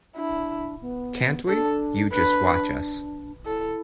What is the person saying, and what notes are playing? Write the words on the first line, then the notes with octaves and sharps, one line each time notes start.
Can't we? You just watch us.
D4 E4
B3
D4 A4
D4 B4
E4 A4